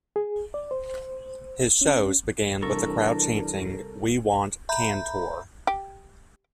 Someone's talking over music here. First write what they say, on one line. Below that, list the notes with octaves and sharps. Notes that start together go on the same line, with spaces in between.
His shows began with a crowd chanting We want Can-tor!
G#4
D5
C5
C#4
C2 E3 D4 A4 A#4 C#6
E5 A#5 B5 G6
G4